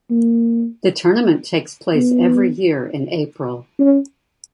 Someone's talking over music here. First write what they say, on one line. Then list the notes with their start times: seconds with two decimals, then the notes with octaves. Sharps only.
The tournament takes place every year in April.
0.10 A#3
1.95 B3
3.79 C#4